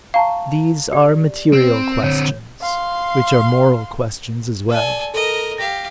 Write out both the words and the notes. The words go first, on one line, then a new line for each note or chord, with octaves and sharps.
These are material questions, which are moral questions as well.
F5 A5 A#5 C#6
G4 D5
C4
D3 C4 C#5
F5 C6
A4 D5 G#5
A4 A#4 D#5
G4 F5 A#6